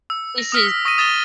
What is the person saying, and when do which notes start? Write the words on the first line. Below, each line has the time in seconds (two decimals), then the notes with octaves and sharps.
this is
0.10 E6
0.38 A#6
0.52 D#6 F6 B6
0.67 F6
0.85 C#6 D#6 A#6 B6 D#7
0.98 D#6 A6 E7 G7